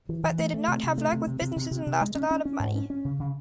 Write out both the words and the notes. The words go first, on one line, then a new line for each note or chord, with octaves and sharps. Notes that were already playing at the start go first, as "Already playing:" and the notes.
But they did not have luck with businesses and lost a lot of money.
E3
E3
A3
A3
C3
C3
A3
C3
C3
C3
C3
C3
C3
G#3
C#4
C#4
C#4
G#2
C#4
C#4
C#3
C#3